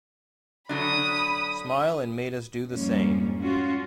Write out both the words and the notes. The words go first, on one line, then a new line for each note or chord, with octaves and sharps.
Smile and made us do the same.
D3 F#3 D4 B5 D#6
F2 G#2 G3 A#3 C#4
C#4 F4 F#4